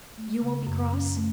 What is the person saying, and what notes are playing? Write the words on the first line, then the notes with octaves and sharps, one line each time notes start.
"You won't be cross?"
A3
C#3
F#2
C#4
A3